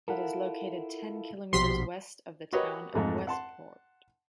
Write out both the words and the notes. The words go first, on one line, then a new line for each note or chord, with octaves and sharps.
It is located ten kilometres west of the town of Westport.
E4 F4 A4 A#4 F#5
A#1 B2 F3 F#4 G4 C6 B6
F#4 G4 A#4 B4 C#5 D#5
F2 G#2 A3
F#5 A5 C6